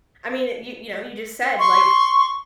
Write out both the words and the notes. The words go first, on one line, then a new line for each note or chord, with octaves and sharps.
I mean, uh, you you know, you just said like, f
C6 C#6